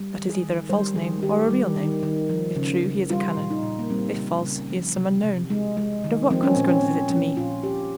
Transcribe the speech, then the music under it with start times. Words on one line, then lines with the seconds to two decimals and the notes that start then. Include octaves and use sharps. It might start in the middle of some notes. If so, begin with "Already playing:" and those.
That is either a false name or a real name; if true, he is a canon; if false, he is some unknown; but of what consequence is it to me?
Already playing: G3
0.15 D#3
0.29 G#4
0.42 D#3
0.69 G3 C5
0.95 D#3 G#4
1.23 D#3 G4
1.50 G3
1.76 D#3
2.03 D#3
2.29 F3
2.56 C#3
2.83 C#3
3.10 G3 F4
3.37 A#2
3.50 D#4
3.63 A#2
3.79 A#3
3.90 G3 C4
4.17 C#3
4.43 C#3
4.70 F3
4.96 C3
5.24 C3
5.50 G#3
5.77 G#3
6.04 D#3
6.30 F3 C4
6.43 C#4
6.55 A#2 C4
6.68 C#4
6.80 A#2 C4
7.10 F3 C#4
7.37 A#2 F4
7.63 A#2 G4